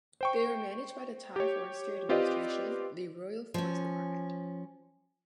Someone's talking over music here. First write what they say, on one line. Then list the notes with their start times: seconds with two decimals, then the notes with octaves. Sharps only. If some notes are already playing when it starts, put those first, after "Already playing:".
They are managed by the Thai forestry administration, the "Royal Forest Department".
0.21 C5 G5 C#6
1.36 G4 C#5
2.09 C4 F4 G4 B4 D5 D#5
3.54 F3 C#4